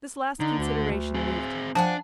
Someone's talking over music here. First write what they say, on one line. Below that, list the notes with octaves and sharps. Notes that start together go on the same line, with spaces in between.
This last consideration moved him.
D3 D#4
D2
C4 G#4
F3 D4 F#5 G#5 A5